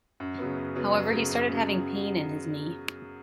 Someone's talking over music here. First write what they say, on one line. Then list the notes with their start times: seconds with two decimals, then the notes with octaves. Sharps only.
However, he started having pain in his knee.
0.20 F#2
0.38 C#3 F#3 B3
0.57 F#2
0.75 C#3 F#3 B3
0.94 F#2
1.13 C#3 F#3 B3
1.31 F#2
1.49 C#3 F#3 B3